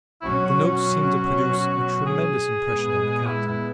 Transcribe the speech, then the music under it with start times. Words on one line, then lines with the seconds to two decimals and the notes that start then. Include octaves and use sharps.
The notes seemed to produce a tremendous impression on the captain.
0.21 E4
0.24 B2 F#3 C#4 F#4
0.45 F#4
0.65 F#4
2.06 G#4
2.66 A#2 G#3 B3
3.26 E4
3.47 E4